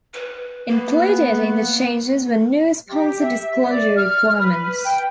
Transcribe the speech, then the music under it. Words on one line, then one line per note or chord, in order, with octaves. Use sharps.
Included in the changes were new sponsor disclosure requirements.
B4
A#3 B3
G4
E5
D5
F6
B4
G5